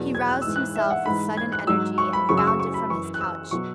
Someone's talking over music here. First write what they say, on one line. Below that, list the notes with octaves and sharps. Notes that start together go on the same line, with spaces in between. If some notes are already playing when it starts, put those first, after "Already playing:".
He roused himself with sudden energy and bounded from his couch.
Already playing: E2 B2 F#3
G#6
F#6
G#2 E3 E6
F#6
E5
F#5
G#2 E3 B5
G#6
F#6
G#2 F#3 E6
C#6
B5
F#2 C#3 F#3 C#6
E6
C#6
C#6
B5
F#2 E3 C#6
F#6
E6
B2 F#3 C#6